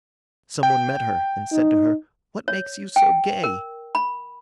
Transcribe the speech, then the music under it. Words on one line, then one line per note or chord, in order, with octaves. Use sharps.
Some one met her and said to her, "What makes you so gay?"
G5
D#4
C#5
G5
A#4
B5